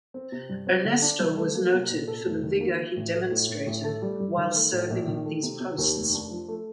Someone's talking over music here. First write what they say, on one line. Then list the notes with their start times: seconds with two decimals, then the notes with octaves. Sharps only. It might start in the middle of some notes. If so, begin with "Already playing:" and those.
Ernesto was noted for the vigour he demonstrated while serving these posts.
0.14 C4
0.32 C3
0.49 G2
0.67 C4
0.85 D3
1.02 D4
1.20 C2
1.37 A3
1.55 A#3
1.73 C3
1.91 A#2
2.08 A4
2.26 F1
2.43 D#3
2.61 A#3
2.79 F3
2.96 A1
3.13 A3
3.31 A2
3.49 A2
3.67 A1
3.84 A3
4.02 G3
4.20 G2
4.37 D#3
4.55 A3
4.72 A2
4.90 A#1
5.08 D#3
5.25 A3
5.43 C3
5.60 C3
5.78 D#2
5.96 F1
6.13 D4
6.31 F3
6.48 A3